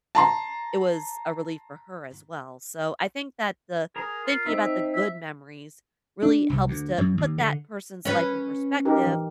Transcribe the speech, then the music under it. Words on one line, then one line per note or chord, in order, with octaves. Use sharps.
it was a relief for her as well, so, I think that the thinking about the good memories really helps to put that person's life in perspective
A5 A#5 C6
G#4 A#4 A#5
F4
C4 D#4 E5
E5
D4
C2
D2
F#2
D#2
D3
C#4 B4
D#4 G4 A#4
E3